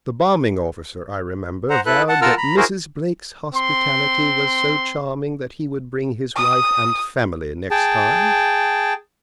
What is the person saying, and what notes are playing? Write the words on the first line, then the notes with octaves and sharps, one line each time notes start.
The bombing officer, I remember, vowed that Mrs. Blake's hospitality was so charming that he would bring his wife and family next time.
C5 F#5 A#5
E4 A4 B4 F#6
F#5 A5
F4 A#4 F#5 A5 E6 F6
A#5 B5
E4 F#4 G#4 A#4 C5
C4 C6
D#6
G#4 G5 A5